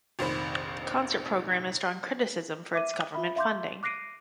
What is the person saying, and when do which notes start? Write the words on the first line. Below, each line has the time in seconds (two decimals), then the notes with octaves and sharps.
The Concert programme has drawn criticism for its Government funding.
0.19 F1 A#1 D#3 C5 B5
2.73 E5 D6 D#7
3.15 F4 E5 B5
3.36 E5 F5 C6 D6 G6
3.83 D6 F#6 A#6 C7 D7 D#7